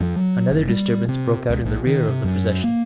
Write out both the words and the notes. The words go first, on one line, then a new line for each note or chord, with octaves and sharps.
Another disturbance broke out in the rear of the procession.
F2
F#3
F#1
G3
C3
C#2
A#1
D#3
C3
F#2
A#3